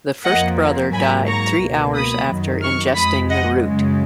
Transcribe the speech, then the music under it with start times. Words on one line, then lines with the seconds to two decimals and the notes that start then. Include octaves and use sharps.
The first brother died three hours after ingesting the root.
0.25 F2 F3 A#3 D#5 F#5
0.93 G#2 F#3 A#3 G#5 B5
1.27 A#5 C#6
1.61 C#2 B2 A#3
1.95 B5 D#6
2.29 F#2 D#3 F#3
2.62 C#6 F6
2.96 F2 F3 G#3 B5 D#6
3.30 D#5 F#5
3.64 F#2 C#3 G#3